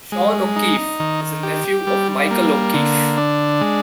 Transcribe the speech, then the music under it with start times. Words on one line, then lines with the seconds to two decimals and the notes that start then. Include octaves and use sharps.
Sean O'Keefe is a nephew of Michael O'Keefe.
0.12 G#3
0.56 D#4
1.00 D#3
1.43 G4
1.87 G3
2.31 A#3
2.74 D3
3.18 D4
3.61 G#3